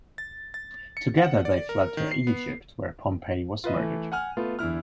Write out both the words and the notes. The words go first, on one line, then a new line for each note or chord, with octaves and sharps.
Together, they fled to Egypt where Pompey was murdered.
A6
A6
C#7
F#5
D5
A#4
D#3
C7
B3
F4 B4 D#5 E5
E3 A3
F#5 G#5 F6
A3 B3 F4
E2 D3 E4 F6